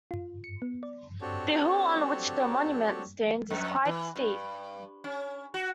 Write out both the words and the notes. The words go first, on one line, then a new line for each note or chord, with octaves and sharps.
The hill on which the monument stands is quite steep.
F4
C#7
B3
D5
C4 D4 F#4 G4 A4 C#5
F2
E3
G2
C#4
F#4